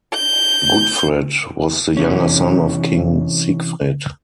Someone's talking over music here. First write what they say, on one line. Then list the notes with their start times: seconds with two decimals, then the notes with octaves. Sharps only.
Gudfred was the younger son of King Sigfred.
0.13 G6
1.97 C3 E3 C#4